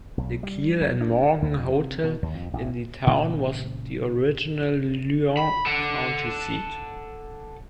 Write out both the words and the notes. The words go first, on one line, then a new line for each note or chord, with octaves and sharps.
The Kiel and Morgan Hotel in the town was the original Lyon County seat.
B1
G3
F#3
D4
D2
F2
C3
B2
D#2
F2
A1
A#2 C#3 E3 B3
B5
A4 F#5